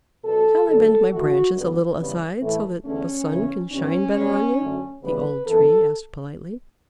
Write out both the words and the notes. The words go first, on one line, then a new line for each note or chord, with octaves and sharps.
"Shall I bend my branches a little aside so that the sun can shine better on you?" the Old Tree asked politely.
B2 F#3 B3 A4
F#2 D3 F#3 A4
G2 E3 A3 F#4
F#2 D3 G3 B3
E2 C#3 G3 B3
A2 E3 A3
E2 D3 A3 C#4
E2 C#3 E3
G2 E3 B3 C#4
B2 G3 B3
F#2 D3 F#3 A3
C#3 E3 G3 B3 B4
F#2 E3 B3 A4